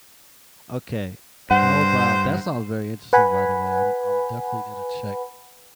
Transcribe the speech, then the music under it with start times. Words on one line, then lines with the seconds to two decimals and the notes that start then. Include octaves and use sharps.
Okay, how about That song's very interesting, by the way, I'm I'm definitely gonna check
1.51 G2 C5 F#5
3.13 B4 F#5 G#5 B5